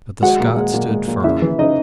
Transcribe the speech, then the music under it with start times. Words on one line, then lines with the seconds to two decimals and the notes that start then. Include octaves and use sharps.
But the Scots stood firm.
0.22 G#3 F#4 F#5
0.40 A#2
0.57 G#3
0.74 A#2
0.90 G#3
1.08 A#2
1.24 C#3 E4 E5
1.42 E3
1.58 C#3 D#4 D#5